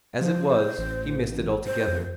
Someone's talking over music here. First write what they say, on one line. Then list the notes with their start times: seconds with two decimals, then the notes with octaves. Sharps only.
As it was, he missed it altogether.
0.21 F3 C5
0.78 A1
1.66 C5
1.88 F2